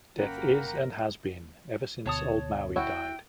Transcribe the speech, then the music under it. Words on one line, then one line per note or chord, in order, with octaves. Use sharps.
Death is and has been ever since old Maui died.
G1 A#3 C#4 A#4 F#5 G5 A#5 B5
D2 B2 C#5 A5 D#6
E4 F#4 G5